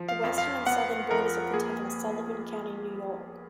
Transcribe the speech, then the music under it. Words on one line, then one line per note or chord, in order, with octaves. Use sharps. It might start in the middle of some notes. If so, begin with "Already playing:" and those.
The western and southern borders of the town are Sullivan County, New York.
Already playing: F3
F5
F2
F5
B3 F#5
F2 A#4
A#3 G#4